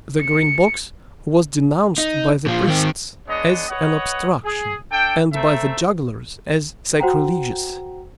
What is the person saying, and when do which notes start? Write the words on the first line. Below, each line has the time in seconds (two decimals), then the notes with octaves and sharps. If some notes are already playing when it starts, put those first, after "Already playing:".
The Green Box was denounced by the priests as an obstruction, and by the jugglers as sacrilegious.
0.21 C#7
1.98 D#4
2.46 A#2 F3
2.68 D#3 C4
3.27 G#3 B3 D4 C#5 D#5
3.69 B4 C#5 D#5 F#5
4.44 G#4
4.91 D4 A4 G5
5.33 A3 C4 A4 E5 A#5
7.00 F#4 C5 F#5 G5 A#5